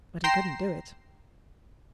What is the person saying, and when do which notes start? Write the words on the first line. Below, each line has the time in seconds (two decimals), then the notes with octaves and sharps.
But he couldn't do it.
0.24 G5 A#5 C6 A#6 C7 E7